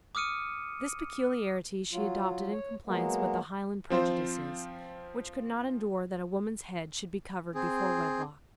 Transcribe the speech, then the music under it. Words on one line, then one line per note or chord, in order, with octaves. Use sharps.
This peculiarity she adopted in compliance with the Highland prejudices, which could not endure that a woman's head should be covered before wedlock.
D6 D#6 F6 C#7 D#7
F#3 F4
C#5
F#3 G#3 A#3 B3
F3 C4 F4 C5
C4 G#4